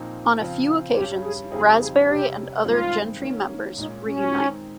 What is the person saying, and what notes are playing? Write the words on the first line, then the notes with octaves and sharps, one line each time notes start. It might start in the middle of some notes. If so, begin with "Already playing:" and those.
On a few occasions, Raspberry and other Gentry members reunite.
Already playing: A#2 F3 C4 D#4
C#3 F3 C4
G2 G3 C#4 G4
G#4
F2 C#3 G3 C4 D#4 G#4
G#4
C3 G3 C#4 G4
G2 D#3 G#3 C4 F4
D#3 A#3 C#4
A#2 G#3 C#4 D#4
C#4
D#3 G#3 C4 D#4